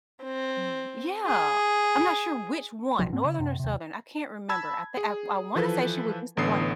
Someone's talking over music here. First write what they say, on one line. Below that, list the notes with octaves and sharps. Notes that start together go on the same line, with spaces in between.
mm Yeah, I'm not sure which one, Northern or Southern, I can't remember, I think I I wanna say she was disappointed
C4
G#4
A#1 C3 F3 F#3
G#2 A#3 C4
C#3
F#2 C3
D#2 C3
A5 B5 E6 G#6
G#4
E3 F3 A4 B4
A1 D3 B3 A4 D#6 C7